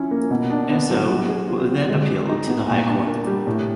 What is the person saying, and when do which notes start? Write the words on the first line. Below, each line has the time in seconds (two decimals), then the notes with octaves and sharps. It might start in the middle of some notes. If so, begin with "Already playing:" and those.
Esso then appealed to the High Court.
Already playing: F3 C#4 E4
0.11 A#3
0.31 B2
0.50 D4
0.70 B3
0.90 F#3
1.09 G3
1.29 G#4
1.49 F4
1.68 C4
1.89 G#3
2.08 G4
2.28 D#4
2.47 B3
2.67 A#2
2.88 D4
3.07 A#3
3.27 G3
3.47 A2